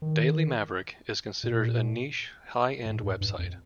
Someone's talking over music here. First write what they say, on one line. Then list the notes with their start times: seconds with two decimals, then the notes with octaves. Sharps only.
"Daily Maverick" is considered a niche, high-end website.
0.02 D#3
1.43 A#2
2.86 A2
3.03 G2
3.21 G2
3.39 F2